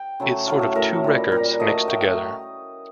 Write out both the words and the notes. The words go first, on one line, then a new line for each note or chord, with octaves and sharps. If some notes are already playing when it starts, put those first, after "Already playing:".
It's sort of two records mixed together.
Already playing: G5
C#3 F#3 A3
A2 F#3 A3 F5
E5
A2 F#3 A3 A#4
A#2 G3
A#2 G3 A#4
A2 F#3 A3 D#5
A2 F#3 A3 G5
G5